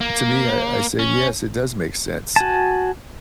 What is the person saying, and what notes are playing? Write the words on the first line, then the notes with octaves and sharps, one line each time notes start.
to me, I I say, “Yes, it does make sense,
A#3
C#4
F#4 G#5 A5